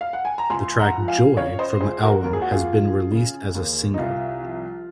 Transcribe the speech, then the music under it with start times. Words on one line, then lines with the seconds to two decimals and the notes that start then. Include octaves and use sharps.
The track "Joy" from the album has been released as a single.
0.01 F5
0.13 F#5
0.25 G#5
0.38 A#5
0.50 C#2 G#5 C6
0.79 F#5 A#5
0.94 F3
1.08 F5 G#5
1.37 C#3 C#5 F5
1.59 C5 D#5
1.81 C#2 G#4 C5
2.03 F#4 A#4
2.24 D#2 A#4
2.33 G#4
2.42 F#4
2.52 F4 G#4
2.68 F3
3.11 C#3
3.55 D#2
3.94 D#4
3.98 C2 F4
4.42 F3